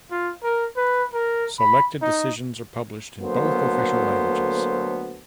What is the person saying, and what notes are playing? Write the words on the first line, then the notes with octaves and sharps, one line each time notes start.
Selected decisions are published in both official languages.
F4
A#4
B4
A#4
B5
D#4
D2 F#3 A#3 B3 A4 C5